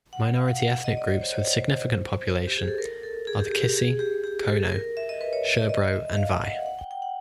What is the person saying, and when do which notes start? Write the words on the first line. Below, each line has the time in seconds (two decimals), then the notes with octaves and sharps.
Minority ethnic groups with significant population are the Kissi, Kono, Sherbro and Vai.
0.13 F#5
0.36 F5
0.48 F#5
0.60 F#5
0.73 F#5
0.84 D#5
0.97 D5
1.09 C#5
1.21 C5
1.34 C#5
1.57 C5
2.47 G4
2.58 G#4
2.68 A4
2.78 A#4
3.03 A4
3.27 G#4
3.40 G4
3.51 G4
3.63 G4
3.76 G#4
3.99 G4
4.24 G4
4.48 A4
4.72 A#4
4.97 E5
5.09 D#5
5.21 B4
5.33 C#5
5.45 C#5
5.57 D5
5.69 D#5
5.93 E5
6.17 F5
6.41 F#5
6.66 F#5
6.79 G5
6.91 G5
7.02 F#5